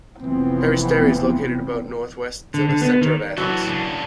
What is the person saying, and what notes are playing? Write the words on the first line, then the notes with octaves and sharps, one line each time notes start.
Peristeri is located about northwest of the centre of Athens.
F1 E3 F3 B3 C4
D3
D3
B3
D#3
E3 F#3 F#4 A4
C#3 D4